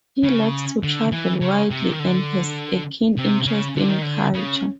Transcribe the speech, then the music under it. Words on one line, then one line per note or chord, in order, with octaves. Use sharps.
He likes to travel widely and has a keen interest in culture.
C#3
D3
E3
C#3
C3
D#3
D3
C3
C#3
D3
D#3
D3
C#3